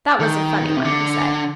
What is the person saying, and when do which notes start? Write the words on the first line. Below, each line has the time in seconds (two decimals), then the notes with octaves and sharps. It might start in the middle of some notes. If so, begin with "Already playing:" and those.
"That was a funny one," he said.
0.20 D#3
0.77 C3
0.85 D3